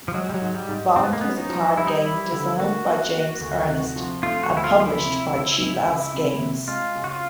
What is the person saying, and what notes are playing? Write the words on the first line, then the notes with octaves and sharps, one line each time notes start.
Bond was a card game designed by James Ernest and published by Cheapass Games.
F3
F#3 G#3
G3
F#3
G#2
G3
G#2
G#2 C4
B3
A#3
B3 C#4
D#4
F3
G3 E4
D#4
E4
G3
D3
A#3 F#4
A#3
A#3
D2
C3
F3
A3 F4
F#4
D2
E4
F4
F3 F4
E4
C3
C#2
C#2
C#2
C3
C3
G#3 F4
C#3
F#4
F4